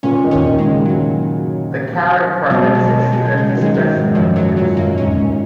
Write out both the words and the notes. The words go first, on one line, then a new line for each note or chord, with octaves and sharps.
The carry permit is issued at discretion of police.
A#2 C#4
D#3
C#4
D#3
G#3
C#3
F#3
B2 F#3
G#3
F#3
G#3
F#3
G#3
F#3
C#3 G#3
D#3 F#3
G#3
D#3 F#3
G#2
F#2 F3
F#2 F#3
A#2 F#3
F#2 A#3
G#2 C#4
A#2